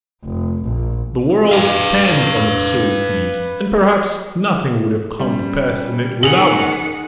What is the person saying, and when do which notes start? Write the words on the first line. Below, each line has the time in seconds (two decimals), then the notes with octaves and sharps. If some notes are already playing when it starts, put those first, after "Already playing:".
The world stands on absurdities, and perhaps nothing would have come to pass in it without them.
0.24 F1
0.63 A#1
1.51 B4 F5
5.19 G3 C#4
6.23 D#3 G#4 F#5 F7 F#7